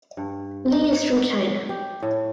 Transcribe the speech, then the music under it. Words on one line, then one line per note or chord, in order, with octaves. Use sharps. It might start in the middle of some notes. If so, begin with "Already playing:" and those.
Li is from China.
G2
D#4
F#5
G4
A2